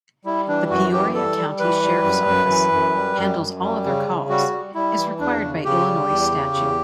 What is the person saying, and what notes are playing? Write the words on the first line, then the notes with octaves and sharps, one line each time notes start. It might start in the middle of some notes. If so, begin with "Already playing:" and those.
The Peoria County Sheriff's Office handles all other calls, as required by Illinois Statue.
G3 E4
E3 D4
F#2 F#4
E3 G4
G3 A4
G3
E3 B4
G3
F#2
F#2
E3
F#2
G3
F#2
F#2
G3
C#3
C#3
G3 F#4
G3
G3 E4
E3
E2 D4
C#3
C#3 G4
G3
E2
C#3
E2